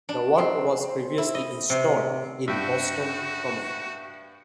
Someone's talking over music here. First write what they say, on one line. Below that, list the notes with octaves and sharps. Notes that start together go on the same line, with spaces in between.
The work was previously installed in Boston Common.
D4
C4
E4
D#5
C3
G2 F#4 E5 G5